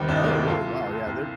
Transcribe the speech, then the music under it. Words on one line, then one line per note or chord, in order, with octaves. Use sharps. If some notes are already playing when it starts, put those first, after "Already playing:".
Oh really? Wow, yeah, they're
Already playing: D#2 C3 D#3 G3
C2 D4
D#4
A#3 D4
C2
G4
C2 F4 A4
A#2
A#2
C2